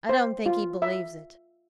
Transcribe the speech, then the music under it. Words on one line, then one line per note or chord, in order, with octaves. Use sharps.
I don't think he believes it.'
C5
F4
E5